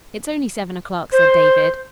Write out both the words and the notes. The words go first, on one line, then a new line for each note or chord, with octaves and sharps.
"It's only seven o'clock," said David.
C5